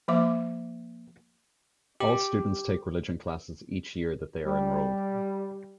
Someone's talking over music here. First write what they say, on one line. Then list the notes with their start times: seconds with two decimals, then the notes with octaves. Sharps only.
All students take religion classes each year that they are enrolled.
0.08 F3 A#3 E5 D6
2.00 G4
4.46 G3